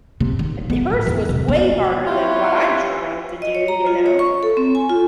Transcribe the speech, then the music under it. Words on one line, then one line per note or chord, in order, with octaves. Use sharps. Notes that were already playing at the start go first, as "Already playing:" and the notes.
D hers was way harder than what I'm trying to do, you know?
C3
D#3
B3
A2
E2
C3
B3
C4 E4 F4 G4 B4 C#5
D#5
C#5
A#5
F4
C#5
C#6
A4
C4
G#5
F4